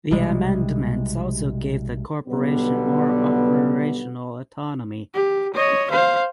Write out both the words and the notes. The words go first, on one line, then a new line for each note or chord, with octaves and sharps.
The amendments also gave the corporation more operational autonomy.
B1 C3 G3 G#3
B1 D3 G3 B3
G4
C#5 D#5
C5 F5